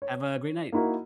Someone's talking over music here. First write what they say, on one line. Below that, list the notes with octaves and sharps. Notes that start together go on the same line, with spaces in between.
Have a great night.
C#5
A#3 D#4 E4 F#4 A#4